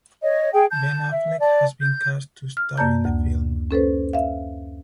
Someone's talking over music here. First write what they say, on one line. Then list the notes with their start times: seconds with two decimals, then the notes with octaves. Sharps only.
Ben Affleck has been cast to star in the film.
0.23 C#5 D#5
0.53 G#4 G5
0.70 A5 G6
1.11 E5
1.40 D5 A5
1.79 G6
2.57 F6
2.78 F#2 A#3 D5 A5 A#5 G6
3.05 D2
3.71 C#4 A4 B4 C5
4.13 E5 F5